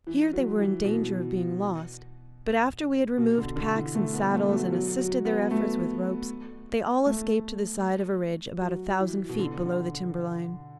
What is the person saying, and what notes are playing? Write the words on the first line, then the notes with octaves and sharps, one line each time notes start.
Here they were in danger of being lost, but after we had removed packs and saddles and assisted their efforts with ropes, they all escaped to the side of a ridge about a thousand feet below the timberline.
E3
F#3
E3
B2
B2
D3
D3
E3
A3
B3
A3
A3
F#3
F#3
F#3
B3
A3
A3
F#3
E3
B2
D3
D3